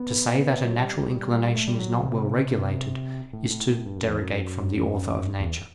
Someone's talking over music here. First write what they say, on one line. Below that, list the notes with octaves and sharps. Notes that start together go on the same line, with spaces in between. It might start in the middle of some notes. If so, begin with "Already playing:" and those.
To say that a natural inclination is not well regulated, is to derogate from the Author of nature.
Already playing: B3
F#3
G3
A3
G3
F#3
C3
A2
A2
A2
G2
F#2
E2
F#2
E2